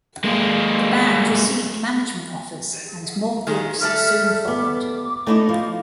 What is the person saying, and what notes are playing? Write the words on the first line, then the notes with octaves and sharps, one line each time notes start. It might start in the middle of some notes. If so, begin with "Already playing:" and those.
The band received management offers and more gigs soon followed.
G#3 A#3
A#2 D#3 G#3
G3 A3 A4 F6
B3 D6
A3 D#4 E4 D#5
F3